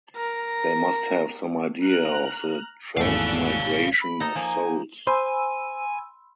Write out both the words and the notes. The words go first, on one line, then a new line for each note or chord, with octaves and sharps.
They must have some idea of the transmigration of souls.
A#4
A#5 F6 F#6
G#1 E2 A3 D4 C#5 F5 E6 F#6
B5
D#4 A4 A#5
F3 A#3 G#5
C5 G#5 B5 C6 E6